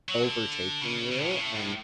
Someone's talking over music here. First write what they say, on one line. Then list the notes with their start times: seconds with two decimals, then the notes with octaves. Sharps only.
overtaking you, and
0.09 F#3
0.23 D3
0.82 C#3
1.12 C#3
1.20 A2
1.31 C#3
1.40 A2
1.56 A2